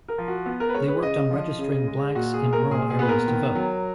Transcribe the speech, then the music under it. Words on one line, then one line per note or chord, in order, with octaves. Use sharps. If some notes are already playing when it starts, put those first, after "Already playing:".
They worked on registering blacks in rural areas to vote.
A#4
F3
F#4
B3
A#4
B4
G#3 C#5
B4
C#3 D#5
F3
C#3
G#3
A#2 F#4
G#4
G#3
A#4
A#2 G#4
G#4
B3 B4
A#4
D#3
F#3